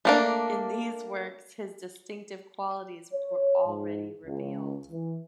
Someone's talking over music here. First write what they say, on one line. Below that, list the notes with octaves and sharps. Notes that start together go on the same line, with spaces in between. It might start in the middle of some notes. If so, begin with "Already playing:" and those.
In these works his distinctive qualities were already revealed.
A3 A#3 D4
C#5
G#2
C#2
E3